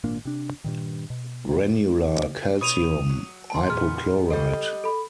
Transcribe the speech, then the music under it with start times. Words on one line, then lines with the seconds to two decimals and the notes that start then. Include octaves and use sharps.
Granular calcium hypochlorite.
0.04 G#1 A#2 A#3 D4
0.25 C3 D4
0.64 G2 A#2 D#3
1.10 B2
2.61 B2 B4 C#5 D#6 D#7 F7
3.09 F#3
3.50 A5 C6
3.67 A#2 G#3 B3 C6 F6
4.30 G3 A4 C5 D#5
4.84 A4 B5